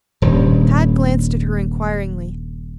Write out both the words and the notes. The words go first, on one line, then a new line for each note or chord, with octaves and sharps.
Tad glanced at her inquiringly.
D#1 G2